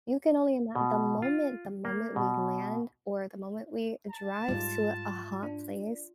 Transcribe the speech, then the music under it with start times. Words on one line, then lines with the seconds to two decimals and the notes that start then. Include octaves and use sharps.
you can only ima the moment the moment we land or the moment we drive to a a hot place,
0.76 B2
1.22 F4
1.85 A#3
2.16 B2
4.10 A5
4.48 G#2 G3 F4
5.43 D4